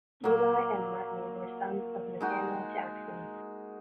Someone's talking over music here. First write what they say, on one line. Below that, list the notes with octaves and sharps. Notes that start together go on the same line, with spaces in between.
Eli and Martin were sons of Nathaniel Jackson.
A#2 F#3 A#3
G#3 D#4 F#4